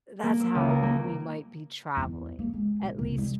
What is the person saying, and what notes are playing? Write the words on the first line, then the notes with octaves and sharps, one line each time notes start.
uh, that's how we might be traveling, at least
A#3
E6
C#2
A#4
A#3
E2
A#3
G#3
B1
C2
G3